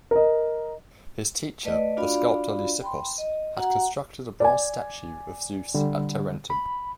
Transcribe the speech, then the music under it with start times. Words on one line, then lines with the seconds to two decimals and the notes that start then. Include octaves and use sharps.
His teacher, the sculptor Lysippos, had constructed a bronze statue of Zeus at Tarentum.
0.11 A#4 D#5
1.65 A3 B4 D5 D#5
1.97 D4 F4 F#4 D5 F5 B5
2.82 G5 B5 C6
3.18 D#5
3.56 F#4 F#5 A#5
4.40 D5 G#5
5.74 D3 G3
6.50 B5